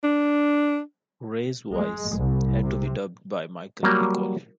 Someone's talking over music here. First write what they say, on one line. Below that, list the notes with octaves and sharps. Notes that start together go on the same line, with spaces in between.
Rey's voice had to be dubbed by Michel Piccoli.
D4
G#3
C2
C3
F#3 G3 A#3